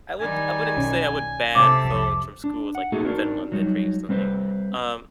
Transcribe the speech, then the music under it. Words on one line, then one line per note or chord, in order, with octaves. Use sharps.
I would I wouldn't say I would ban phones from schools like Finland did recently. Um,
D#3 G3 G#5
B1 C#4
C3 A4 D6
C2 F2
D4
F#5
A3 A#3 D#4 F#4 G#4 A4
C4 D4 D#4 F#4 A#4
F#3 G3 D#4
G3 C4 B4 C5